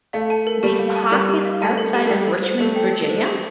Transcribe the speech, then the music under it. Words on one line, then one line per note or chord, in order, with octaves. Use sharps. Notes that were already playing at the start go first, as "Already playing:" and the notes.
these pockets outside of Richmond, Virginia,
A3 F5
A5
A#4
G3 G4
F5
A5
G3 A#4
G4
F5
A3 A5
A#4
G4
A3
G3 G5
A4
C5
A3 A4
G5
A4
C5
A4